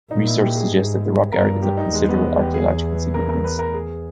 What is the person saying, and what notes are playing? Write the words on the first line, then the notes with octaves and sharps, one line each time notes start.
Research suggests that the rock art is of considerable archaeological significance.
A#2 D#4
E4
G4
G#4
G#2 G#4
G2 A#4
G4
D#4
E2 G#3
B3
G4
G#4
A#4
A#4
B4
A#4
G#4